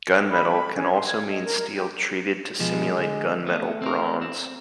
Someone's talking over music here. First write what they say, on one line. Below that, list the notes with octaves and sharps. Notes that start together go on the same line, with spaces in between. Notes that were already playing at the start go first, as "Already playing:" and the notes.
Gunmetal can also mean steel treated to simulate gunmetal bronze.
G5
B5
C#4
C6
G#6
D#5
A#4
G4
B2 F3 G#3 B3
D3
A3 B3
C4 A#4
C4